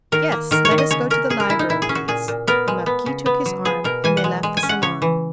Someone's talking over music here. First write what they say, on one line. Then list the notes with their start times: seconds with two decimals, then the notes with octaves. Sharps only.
"Yes, let us go to the library, please." The marquis took his arm, and they left the salon.
0.12 D#3 A#4
0.32 A#3
0.51 D#3 A#4
0.65 C#5
0.71 D#3
0.78 D#5
0.91 C#3 C#5
1.10 C#4 A#4
1.30 C#3 G#4
1.40 A#4
1.49 C#3 E4
1.59 D#4
1.69 A#2 E4
1.82 G#4
1.89 C#4
1.95 F#4
2.08 A#2 G#4
2.28 A#2
2.47 B3 A#4
2.68 G#3
2.86 B3
3.06 C#3
3.26 B3
3.46 F#3
3.65 B3 G#4
3.84 B2 A#4
4.04 E3 G#5
4.17 F#5
4.24 G#3
4.43 G#3
4.57 G#5
4.63 C#4
4.69 F#5
4.82 C#3 C#5
5.02 E3